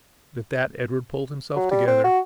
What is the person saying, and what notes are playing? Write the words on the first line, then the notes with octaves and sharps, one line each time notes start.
But, at that Edward pulled himself together.
F#3
G3
C4
F#4